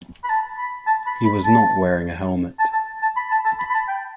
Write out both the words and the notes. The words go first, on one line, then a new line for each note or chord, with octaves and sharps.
He was not wearing a helmet.
B5
A5
B5
A5
B5
B5
A5
A5
A5
A5
B5
A5
A5
B5
B5
A5
G5